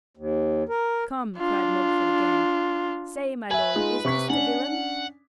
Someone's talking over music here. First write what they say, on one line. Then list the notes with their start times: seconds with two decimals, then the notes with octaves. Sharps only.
"Come," cried Mogford again; "say, my lord, is this the villain?"
0.17 D#2
0.69 A#4
1.38 D4 F4
3.51 B4 E5 G#5
3.75 G#3 D#4 F4
4.05 C3 C#6 B6
4.30 C#4 D4 F#5